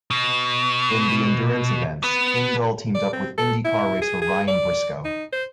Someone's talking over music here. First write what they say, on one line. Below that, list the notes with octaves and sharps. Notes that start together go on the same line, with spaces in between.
In the Endurance events, Ingall teamed up with IndyCar racer Ryan Briscoe.
B2
B3
D5
C4
A4
E4
G#4
G#4
D5
D#4
C5